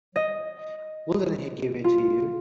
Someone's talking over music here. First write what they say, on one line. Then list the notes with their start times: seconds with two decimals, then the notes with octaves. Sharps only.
Wouldn't he give it to you?
0.16 D#5
1.84 F4